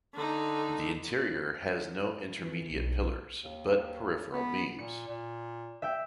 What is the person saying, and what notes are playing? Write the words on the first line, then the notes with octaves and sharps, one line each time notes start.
The interior has no intermediate pillars but peripheral beams.
D3 D#4
E3
B1
D#2
B3
A#2 C#7
A#2
E5 G5